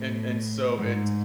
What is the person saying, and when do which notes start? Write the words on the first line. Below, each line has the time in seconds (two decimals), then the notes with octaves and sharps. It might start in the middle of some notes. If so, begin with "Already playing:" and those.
and and so it's
Already playing: A2
0.76 G#2